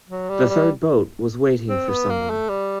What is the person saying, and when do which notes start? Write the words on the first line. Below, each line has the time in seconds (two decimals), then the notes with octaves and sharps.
The third boat was waiting for some one.
0.09 F#3
0.29 G3
0.49 G3
1.70 C4
1.89 B3
2.10 A#3
2.30 A3
2.49 G3